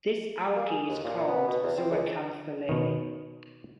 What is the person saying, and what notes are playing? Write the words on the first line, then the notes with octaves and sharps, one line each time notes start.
This algae is called zooxanthellae.
A#3
G#4
D#2
A#2
B3
B2
E2
C4
C#2
B2 D#3